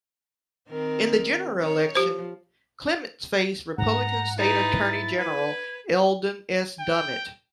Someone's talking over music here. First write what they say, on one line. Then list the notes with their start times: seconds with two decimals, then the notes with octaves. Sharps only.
In the general election, Clements faced Republican state attorney general Eldon S. Dummit.
0.69 D#3 C4 A#4
1.60 D#3 C#5
1.95 F3 G4 C5
3.78 G#2 F#5 A#5
4.38 D#4 E4 B4 A6
5.18 B4 G#6
6.80 G5